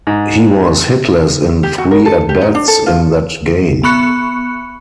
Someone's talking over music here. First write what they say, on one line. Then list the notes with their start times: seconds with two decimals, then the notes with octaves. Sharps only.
He was hitless in three at-bats in that game.
0.07 G#2
1.63 G4
1.78 F#4
1.91 A#4
2.06 A4
2.29 G4
2.41 D#4
2.55 D4
2.68 A4
2.86 F4
3.83 B3 B5 C#6 F#6 C#7